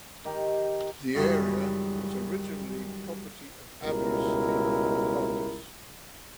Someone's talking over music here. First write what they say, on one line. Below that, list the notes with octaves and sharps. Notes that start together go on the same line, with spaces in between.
The area was originally property of abbeys in Flanders.
D#3 G4 A#4
C#2 F#2 D#3 E3 G3
C#2 B2 G3 E4 A#4